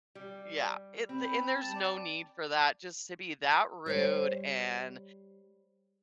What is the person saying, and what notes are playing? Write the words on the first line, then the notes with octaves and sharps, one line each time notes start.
Yeah, it the and there's no need for that just to be that rude and
G3
C4 B5
A5
D5
G3 C5 C#5